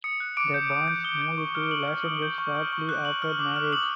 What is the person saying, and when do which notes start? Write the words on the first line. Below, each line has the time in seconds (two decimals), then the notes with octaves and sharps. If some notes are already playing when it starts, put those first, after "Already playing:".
The Bonds moved to Los Angeles shortly after marriage.
0.04 D#6 C#7
0.20 F#6
0.37 D6 D7
0.54 G6
0.71 D#6
0.88 G6
1.04 D#6 G7
1.22 G6
1.38 C#6
1.55 F6
1.71 C#6 F#7
1.88 F6
2.06 D#6
2.22 G6
2.38 C#6
2.55 F6
2.72 C#6
2.89 F#6
3.05 C#6 F#7
3.22 F6
3.39 D6
3.56 F6
3.73 D#6 F#7